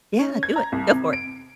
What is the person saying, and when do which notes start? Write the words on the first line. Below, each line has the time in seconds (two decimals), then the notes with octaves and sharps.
Yeah, do it. Go for it.
0.19 C#4
0.43 G#6
0.56 A#5
0.72 C2
0.91 C3
1.13 D7